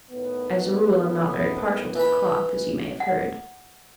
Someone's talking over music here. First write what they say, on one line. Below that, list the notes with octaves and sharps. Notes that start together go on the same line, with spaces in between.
As a rule I'm not very partial to the cloth, as you may have heard.
A2 D#3 B3
E3 B5
F#5